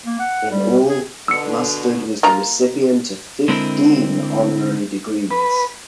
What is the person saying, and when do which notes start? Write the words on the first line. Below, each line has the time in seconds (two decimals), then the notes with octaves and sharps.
In all, Mustard was the recipient of fifteen honorary degrees.
0.06 A#3
0.19 F#5
0.51 G3
0.89 G#4
1.28 B2 D3 E6 C#7
2.23 A#3 F4 A#5
3.48 D3 G#3 C4 E4 A#4
5.31 B4